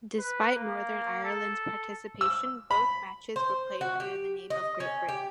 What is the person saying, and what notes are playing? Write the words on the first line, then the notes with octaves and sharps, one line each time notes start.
Despite Northern Ireland's participation, both matches were played under the name of 'Great Britain'.
B4
A#3
A4
E6
B5
C5
F#4
G4
D#5
C#4
G4